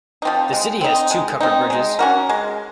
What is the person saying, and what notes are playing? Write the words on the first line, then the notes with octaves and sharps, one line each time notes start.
The city has two covered bridges.
F3 C4 D#4
G#3
C4 D#4
G#3
C4 D#4
G#3
C#4 F#4 A#4
G#3